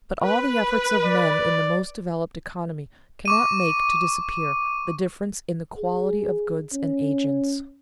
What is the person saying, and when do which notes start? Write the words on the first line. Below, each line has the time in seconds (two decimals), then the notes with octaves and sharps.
But all the efforts of men in the most developed economy cannot make to disappear the differences in the quality of goods and agents.
0.24 B4
1.05 D5
3.25 C#6 D6 D#7
5.78 G#4
6.74 C#4